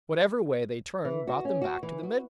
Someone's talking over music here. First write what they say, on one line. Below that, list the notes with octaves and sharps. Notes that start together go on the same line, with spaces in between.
Whatever way they turned brought them back to the middle.
E3
F#4
C#4
F#4
E3
F#4